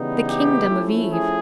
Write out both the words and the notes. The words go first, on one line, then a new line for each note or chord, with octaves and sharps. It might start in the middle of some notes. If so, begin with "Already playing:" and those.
The kingdom of Eve.
Already playing: C#3 E3 G3 B3 D#4
G4
F3 A3 C#4 E4
G#4